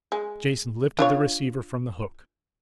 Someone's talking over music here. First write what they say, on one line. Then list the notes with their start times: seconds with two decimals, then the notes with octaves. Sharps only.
Jason lifted the receiver from the hook.
0.12 G#3
0.99 D4 F4 C#5